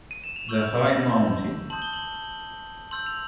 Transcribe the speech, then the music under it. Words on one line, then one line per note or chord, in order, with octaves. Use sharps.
The high mountain.
D#7
E7
F7
C#6 E6 G6 F#7
A5 C6 D#6 G6 F#7
G7
F#7
C6 E6 G6 F#7
F7